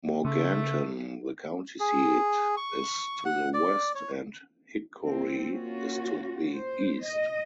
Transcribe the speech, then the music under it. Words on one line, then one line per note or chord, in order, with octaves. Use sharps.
Morganton, the county seat, is to the west, and Hickory is to the east.
C#3 A3
G#4
C#6
F#5
D5
C#5
A#3 C4
A#3 C#4 F4 F#4
C5
D#5